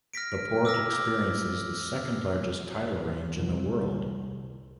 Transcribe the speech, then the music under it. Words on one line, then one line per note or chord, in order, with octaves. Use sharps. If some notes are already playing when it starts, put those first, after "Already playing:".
The port experiences the second largest tidal range in the world.
F6 A#6 B6 D7
D6 E6 F6 A#6
C2